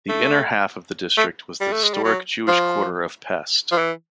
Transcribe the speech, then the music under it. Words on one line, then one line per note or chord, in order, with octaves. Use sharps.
The inner half of the district was the historic Jewish quarter of Pest.
A3
A3
G3
A3
G#3
G3
F#3
F3
F3
E3